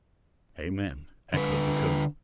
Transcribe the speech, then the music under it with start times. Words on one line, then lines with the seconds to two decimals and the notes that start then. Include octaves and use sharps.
"Amen!" echoed the colonel.
1.34 D3 B4